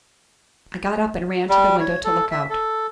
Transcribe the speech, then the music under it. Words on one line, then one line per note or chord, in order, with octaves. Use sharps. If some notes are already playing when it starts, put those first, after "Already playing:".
I got up, and ran to the window to look out.
G3
C#5
A4
E5
A4